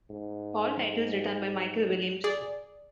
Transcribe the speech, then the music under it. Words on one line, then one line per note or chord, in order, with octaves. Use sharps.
All titles written by Michael Williams.
G#2
G#4 D5